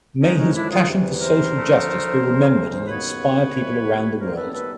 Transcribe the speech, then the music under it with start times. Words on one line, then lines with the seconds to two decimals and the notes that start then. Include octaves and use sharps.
May his passion for social justice be remembered and inspire people around the world.
0.21 F#2 D3 F3 G#3 C#4 D#4
0.38 C#4 D#4
0.55 D4 E4
0.71 D#4 F4
0.88 E2 C3 E3
1.21 A#4 C5
1.54 D2 D3 F3 A3
2.21 D2 C#3 E3
2.87 D#2 C#3 F#3 B3 B4 C#5
3.53 C2 C3 F3 A3
4.19 F#2 D#3 G3 B3 A#4 C5
4.36 A4 B4
4.53 A4 B4